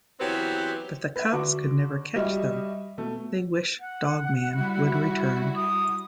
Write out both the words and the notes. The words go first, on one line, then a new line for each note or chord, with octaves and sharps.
But the cops could never catch them, they wish Dog Man would return.
E3 F#3 B3 C4 G4 B4
B4 E5
D3 F#4 D6
G3 F#4 D#5 E5
B2 A3
F#5
G3 E4 F#4
D#6